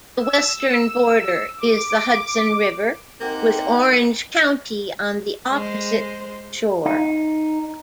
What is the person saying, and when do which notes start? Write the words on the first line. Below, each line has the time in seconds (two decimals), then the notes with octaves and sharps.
The western border is the Hudson River, with Orange County on the opposite shore.
0.18 E6
1.58 D6
3.20 A#3 C4 D#4 G4 F#5 G#5
5.51 G#3 C5
6.86 D#4